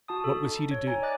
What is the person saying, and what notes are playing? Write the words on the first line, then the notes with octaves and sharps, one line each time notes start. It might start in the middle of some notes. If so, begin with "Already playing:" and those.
What was he to do?
F#4 A5 D#6
A4
D#4
C#5
C#5 G#5 A#5
D5 D#5 D6 F#6 A6